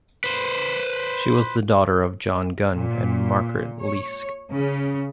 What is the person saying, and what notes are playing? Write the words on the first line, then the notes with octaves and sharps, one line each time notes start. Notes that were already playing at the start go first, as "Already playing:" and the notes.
She was the daughter of John Gunn and Margaret Leask.
B4 C5
A#2
C#5
C#3